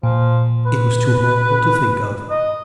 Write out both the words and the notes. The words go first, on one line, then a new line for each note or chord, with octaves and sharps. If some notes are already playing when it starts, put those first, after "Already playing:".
It was too horrible to think of.
A#2 F3
B4
D#5